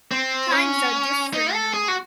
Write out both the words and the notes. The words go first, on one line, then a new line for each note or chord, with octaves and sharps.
Times are different now.
C4
C#4
D#4
A4
G#4
F#4